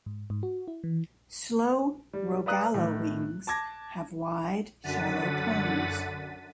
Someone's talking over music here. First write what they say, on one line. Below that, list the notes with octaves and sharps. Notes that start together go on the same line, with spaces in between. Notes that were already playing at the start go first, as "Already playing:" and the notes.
Slow Rogallo wings have wide, shallow cones.
G#2
G#2
F#4
E4
E3
G3
B4 D5 F5 A#5 D#6 F#6
A2 D#3
A5 D6 G#6 A#6
F#2 D3 F#5 A6 B6 D#7